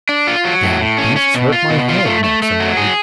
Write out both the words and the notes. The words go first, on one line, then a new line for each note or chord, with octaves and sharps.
"Dam' beasts hurt m'head," Naxa muttered.
D4
F4
F#3
A2
A2
C#4
C#4
B2
F4
B2
F4
A3
A3
A3
F#3
G#4